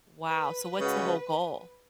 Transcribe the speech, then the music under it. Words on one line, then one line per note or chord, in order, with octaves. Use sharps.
Wow, so, what's the whole goal?
B4
C#3 G#3 C#4 F#4